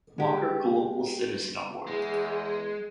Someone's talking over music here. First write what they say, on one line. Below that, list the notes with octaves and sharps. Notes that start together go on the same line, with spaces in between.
Walker Global Citizen Award.
G#3 G4
E2 G#3